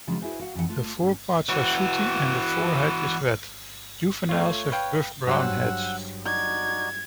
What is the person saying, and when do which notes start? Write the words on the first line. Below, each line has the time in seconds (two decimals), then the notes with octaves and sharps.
The foreparts are sooty and the forehead is red; juveniles have buff-brown heads.
0.07 C#3 F3 F#3 G#3 A#3 D4
0.21 E4 F#4 G#4 B4 C5
0.39 F#4 F5 F#5
0.55 F2 E3 G4 F#5
0.69 A3 F4
0.98 G2 C#4
1.49 E3 F#4
4.29 A3 F4 C#5
4.72 B4 F5 G5
5.27 G2 F#3 C5 F#5 E6
6.26 D#4 F#4 D5 G#6